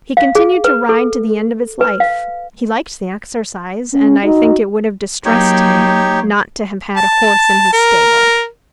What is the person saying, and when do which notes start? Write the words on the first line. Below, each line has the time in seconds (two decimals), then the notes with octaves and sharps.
He continued to ride to the end of his life: he liked the exercise, and I think it would have distressed him not to have had a horse in his stable.
0.17 F5
0.35 G#4
0.64 B4
0.89 A4
1.81 B4
2.00 F5
3.92 C#4
4.24 D#4 F#4
5.25 F#3 A#3 D#4 G4 C#5
6.97 A5
7.73 A#4